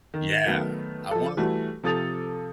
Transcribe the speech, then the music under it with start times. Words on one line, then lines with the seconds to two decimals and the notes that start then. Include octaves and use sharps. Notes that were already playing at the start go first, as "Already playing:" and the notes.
Yeah! I wanna
0.14 D#3
0.46 D#3 F#3 A3 B3
1.11 F3 A4
1.37 E3 G3 A3 F#4
1.83 C3 F3 A4 D#6 A6 F7